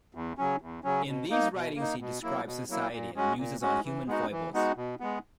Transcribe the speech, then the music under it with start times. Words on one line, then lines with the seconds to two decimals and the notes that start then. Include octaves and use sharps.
In these writings, he describes society and muses on human foibles.
0.15 E2
0.38 C#3 F#3 C#4
0.61 E2
0.84 C#3 F#3 C#4
1.07 B2
1.30 A#3 D#4
1.54 B2
1.76 A#3 D#4
2.00 B2
2.23 F#3 A#3 E4
2.46 B2
2.70 F#3 A#3 E4
2.92 A#2
3.16 G#3 C#4 F#4
3.38 A#2
3.62 G#3 C#4 F#4
3.85 E3
4.08 G#3 B3 D#4 F#4
4.31 E3
4.54 G#3 B3 D#4 F#4
4.77 B2
5.00 G#3 B3